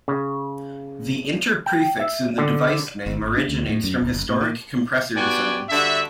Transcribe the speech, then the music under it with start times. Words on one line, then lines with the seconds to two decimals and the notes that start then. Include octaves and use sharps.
The inter prefix in the device name originates from historic compressor designs.
0.08 C#3
1.66 G5
2.00 E5
2.38 D3
3.06 G1
3.22 G#1
3.37 D4
3.49 D2
3.69 A2
3.84 F#2
4.02 D#1
4.14 F#1
4.29 A2
4.41 A#2
5.16 B3 F#4 G4 D5 G5 G#5
5.69 G2 D3 F#4 E5